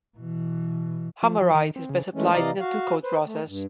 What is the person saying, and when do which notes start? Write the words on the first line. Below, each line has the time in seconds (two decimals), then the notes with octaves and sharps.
Hammerite is best applied in a two coat process.
0.17 B2 E3
1.23 F3
1.42 F3
1.55 D#3
1.76 C4
1.89 C#3
2.15 E3 G#3 A3 C#4
2.33 C3 E3 D5 D#5 F5 A#5
2.60 F#4 F5
3.04 B4 C5
3.25 A3
3.46 G2